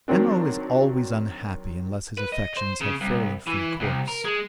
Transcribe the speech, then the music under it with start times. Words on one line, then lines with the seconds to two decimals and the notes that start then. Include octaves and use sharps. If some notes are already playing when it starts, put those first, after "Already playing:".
M.O. is always unhappy unless his affections have fairly free course.
0.08 D#3 F#3 C4 D4
2.18 B4
2.32 D#5
2.57 C5
2.81 C#3
3.01 C2
3.47 E3
3.80 C2
4.08 A#4
4.25 G#3